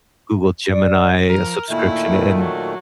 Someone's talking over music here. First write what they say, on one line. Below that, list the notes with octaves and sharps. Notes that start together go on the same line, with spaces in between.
Google Gemini subscription, and
D5
F3 A#4
A#2 D#3 A3 A#3 E4
F#3